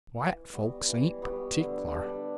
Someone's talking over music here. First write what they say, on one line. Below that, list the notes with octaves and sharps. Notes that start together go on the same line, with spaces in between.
White folks ain't partic'lar.
E3
G3 B3 F#4
E3
G3 B3 F#4
D3
G3 D4